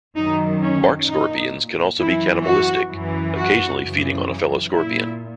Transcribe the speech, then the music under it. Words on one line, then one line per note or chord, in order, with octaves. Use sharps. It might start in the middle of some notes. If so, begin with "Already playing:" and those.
Bark scorpions can also be cannibalistic, occasionally feeding on a fellow scorpion.
F#2 D#3 D#4
C#4
A#2 D#4
F#2 E3 E4
F#4
F#2 E3
F#4
F#2 C#3 E3
A#2 E4